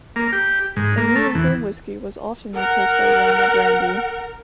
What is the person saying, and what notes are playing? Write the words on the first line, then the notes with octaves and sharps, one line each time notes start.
In New England whiskey was often replaced by rum or brandy.
A#3
G4
G#2
A#3
A3
E2
A#4 F#5